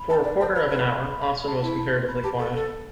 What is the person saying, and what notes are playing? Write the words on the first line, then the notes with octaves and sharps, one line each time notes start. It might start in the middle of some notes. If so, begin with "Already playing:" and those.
For a quarter of an hour Austin was comparatively quiet.
Already playing: B5
A5
D5
C5 A5
B4 B5
B4 C6
B5
C6
C6
B5
C6
B5
A5
E4 A5
A5
C6
B5
G4 A5
A4
A4